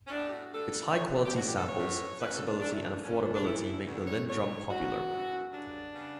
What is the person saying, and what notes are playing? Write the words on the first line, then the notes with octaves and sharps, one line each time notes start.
Its high-quality samples, flexibility and affordability made the LinnDrum popular.
C#4
A2 G3 B3 D4
G4
F#4
G2 D3 A3 A4
E2 D3 A3 C#5
G4
G4
G2 D3 F#3 B3 F#4
G4
A4
C#5
A2 E3 B3
F#2 C#3 G3 B3 B4
A4
D4
F#2 D3 A3 D4
E4
D4
B2 A3 C#4
D4
D4
A2 E3 A3 E4
D2 D3 G3 B3
C#5
D2 D3 A3 C#5
F#2 C#3 E3 F#4
F#2 E3 B3
F#2 C#3 G3 D4
C#3 G3 B3